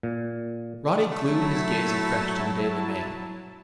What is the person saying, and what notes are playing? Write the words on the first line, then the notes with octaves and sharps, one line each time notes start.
Roddy glued his gaze afresh to the Daily Mail.
A#2
F#3 A3 E4 A5